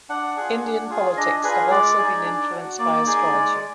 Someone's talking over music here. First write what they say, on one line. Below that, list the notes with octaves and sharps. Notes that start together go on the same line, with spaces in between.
Indian politics have also been influenced by astrology.
D4 F#5
F4 G#4
D4
F4 G#4
D4 D#5
F4 G#4 B4
G#3 D5
D#4 G#4
D4
F#4
A#3 D5
D#4 G#4
G#3